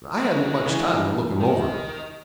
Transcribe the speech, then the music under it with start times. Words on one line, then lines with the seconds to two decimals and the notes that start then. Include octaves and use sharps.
I hadn't much time to look him over.
0.18 G#3 F#4
0.66 C#3 E3
1.40 D#3